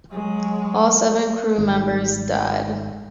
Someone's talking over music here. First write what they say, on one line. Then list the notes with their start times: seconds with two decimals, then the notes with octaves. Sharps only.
All seven crew members died.
0.11 F#3 G#3
1.58 G#1 G#2